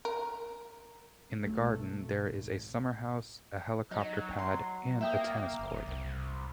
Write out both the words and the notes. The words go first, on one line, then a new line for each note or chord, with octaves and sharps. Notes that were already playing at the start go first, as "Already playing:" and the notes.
In the garden there is a summerhouse, a helicopter pad, and a tennis court.
A#4
B1 B2 A3
G#1 G#2
F#3 D#4
C6
A#3 E5 G5 D#6
F#1
C2